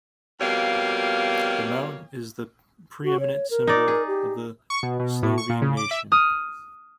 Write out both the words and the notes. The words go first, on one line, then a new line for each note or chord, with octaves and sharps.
The mountain is the pre-eminent symbol of the Slovene Nation.
F2 B2 G3 A#3 C#5 F5
F#4
C#5
A#4
D#4 D5
G#4
G4
C#6
B2
B2
A2
C#6
A#2
C#3
D6
E5
D#6 F6